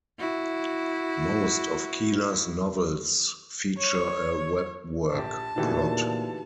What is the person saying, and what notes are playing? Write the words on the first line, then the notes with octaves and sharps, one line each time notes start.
Most of Keeler's novels feature a webwork plot.
E4 F#4
C#5
A#1 G4 A5
A#2 D3 E3 A3 D#4 F#4 G4